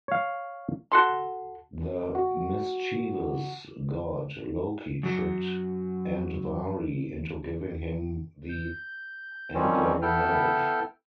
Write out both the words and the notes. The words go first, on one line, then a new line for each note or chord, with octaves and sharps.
The mischievous god Loki tricked Andvari into giving him the Andvaranaut.
C#5 F5
F#4 A4 C6
F#4
F#2 F#3
G6
D#3 F3 G3 C4 C#4
B3 E4 A4 G5 F6